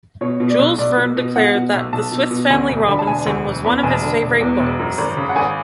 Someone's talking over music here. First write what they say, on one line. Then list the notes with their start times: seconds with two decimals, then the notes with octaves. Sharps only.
Jules Verne declared that "The Swiss Family Robinson" was one of his favorite books.
0.21 B2 C#5
0.40 B2
0.50 D5
0.59 B1
0.78 B1 D5
0.97 B2
1.17 B2
1.36 B2 F#5
1.55 B2
1.74 B1
1.93 B1 A5
2.12 B2
2.31 B2
2.50 D2 G#5
2.69 E1
2.88 D3 B5
2.99 A5
3.07 E1 G#5
3.26 D2
3.45 E1
3.64 E2 B5
3.83 E1 G#5
3.93 A5
4.03 D3
4.22 E1
4.41 E2
4.60 E1
4.79 F#2
4.98 G#1
5.17 C#3
5.29 F#5
5.36 G#1 G#5